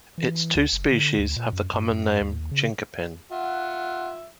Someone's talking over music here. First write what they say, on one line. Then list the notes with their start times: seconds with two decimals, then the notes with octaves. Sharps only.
Its two species have the common name chinquapin.
0.18 E3
0.55 D2
0.73 F#1
0.91 D3
1.19 D2
1.36 A#2
1.53 F#2
1.74 G2
1.90 F#2
2.21 D#2
2.51 C#3
3.32 F4 E5 F#5